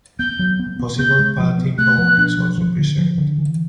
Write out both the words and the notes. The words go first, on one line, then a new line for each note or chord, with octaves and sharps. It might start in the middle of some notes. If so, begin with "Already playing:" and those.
A possible palatine bone is also preserved.
B3 G6
F#3
B3
B3
B3 G6
G#3
F3
B3
A3 F#6
F3
D4
F3
F3
D3
F3
D3
E3